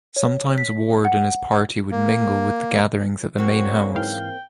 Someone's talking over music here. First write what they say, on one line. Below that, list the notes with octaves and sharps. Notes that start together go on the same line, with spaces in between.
Sometimes Ward and his party would mingle with the gatherings at the main house.
C#5
B6
F#5
A#3
C#3 F#3 A#3 C4 F#4
G#2 E3 F5 G5